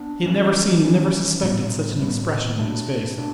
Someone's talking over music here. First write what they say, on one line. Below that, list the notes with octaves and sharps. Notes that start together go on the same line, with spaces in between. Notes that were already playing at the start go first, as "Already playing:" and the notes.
He had never seen and never suspected such an expression in his face.
Already playing: B3 D4
E3 G3 C#4
E3 G3 C#4
A2 G3 B3
A2 G3 B3
B2 A3 D4
B2 D4